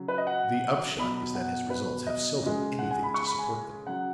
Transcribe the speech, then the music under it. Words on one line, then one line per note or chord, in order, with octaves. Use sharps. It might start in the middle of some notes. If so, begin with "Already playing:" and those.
The upshot is that his results have seldom anything to support them.
Already playing: C#3 F#3
B4
D#5
F#5
B2 F#3 B5
F#5
B4
D#5
C#3 G#3
F#5
G#5
B5
C#6
B5
G#5
C#3 F#3 F#5